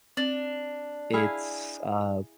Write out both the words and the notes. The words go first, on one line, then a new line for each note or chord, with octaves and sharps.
it's, uh
C4 D4
E4 G#4 F5